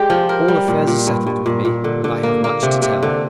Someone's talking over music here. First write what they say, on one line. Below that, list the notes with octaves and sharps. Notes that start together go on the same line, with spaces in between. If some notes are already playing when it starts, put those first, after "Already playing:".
All affairs are settled with me, and I have much to tell.
Already playing: G#3 G4 D5
F3
A#4
G3
A#2
A#2
G2
G2
A#2
A#2
D3
D3
A#3
A#3
C3
C3
D3